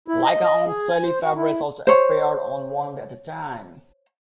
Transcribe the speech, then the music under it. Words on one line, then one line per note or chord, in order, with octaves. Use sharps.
Like her aunt, Shelley Fabares also appeared on One Day at a Time.
E4
D#5
D#5
G#4
G#5
C5
F#4
E4
C5 C#5